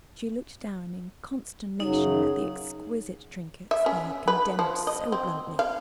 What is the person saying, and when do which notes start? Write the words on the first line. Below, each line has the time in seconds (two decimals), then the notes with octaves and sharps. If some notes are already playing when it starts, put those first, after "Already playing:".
She looked down in consternation at the exquisite trinkets he had condemned so bluntly.
1.80 F#2 C#3 F#3 D#4
3.71 E5
3.86 C#4
4.28 B4
4.59 F3
4.87 D#5
5.12 C4
5.59 F5